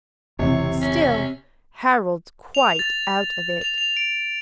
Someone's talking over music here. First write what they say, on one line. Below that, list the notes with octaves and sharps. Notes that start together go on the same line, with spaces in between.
Still, Harold's quite out of it.
F1 C#2 C3 E3 C#5
C#4
F7
A6
F7
F7
D7